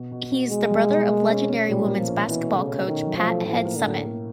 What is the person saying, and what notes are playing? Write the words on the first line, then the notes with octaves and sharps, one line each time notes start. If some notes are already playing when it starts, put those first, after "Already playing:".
He is the brother of legendary women's basketball coach Pat Head Summitt.
Already playing: B2
B2
B2
B2 G#3
G3
B2
A#3
C#4
C#4
A#2 G3
A#3
F3
C#4
B2 E3
A3
C#3
C#4
D#3 C#4
F#3
F3
A3
A2 F3
A#3
D3
A2
A#3